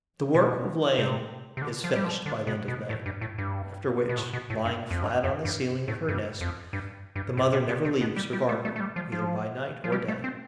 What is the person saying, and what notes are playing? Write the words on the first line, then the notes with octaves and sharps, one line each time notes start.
The work of laying is finished by the end of May, after which, lying flat on the ceiling of her nest, the mother never leaves her guard-room, either by night or day.
B2
C3
C3
D3
F3
G3
F3
D3
B2
B2
A2
G2
A2
G2
B2
A2
B2
A2
G2
F2
G2
F2
G2
A2
G2
F2
G2
G2
A2
B2
B2
C3
B2
G3
G3
A3
A3
A3
G3
F3
F3
F3
G3
A3
C4